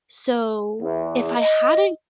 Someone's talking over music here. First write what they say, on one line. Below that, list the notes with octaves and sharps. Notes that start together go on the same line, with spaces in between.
So if I hadn't
E2
D#5